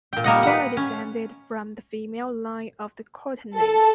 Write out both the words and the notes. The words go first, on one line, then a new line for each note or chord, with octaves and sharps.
They are descended from the female line of the Courtenay.
A#2 G5
G3 A#3 D#5 F#5
B4 F#5
C#4
A4